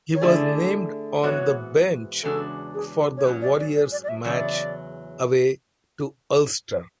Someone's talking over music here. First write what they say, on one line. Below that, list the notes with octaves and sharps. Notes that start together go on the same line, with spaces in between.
He was named on the bench for the Warriors match away to Ulster.
C#5
D3 A3 E4 G#4 D5
G#2 E3 B3 F#4 C#5
E2 C#3 G#3 D4 F#4 A4
G#4
A4
C#5
G#2 F#3 C#4 B4
D5
D5
D5
D5
D5
E5
E2 C#3 F#3 D5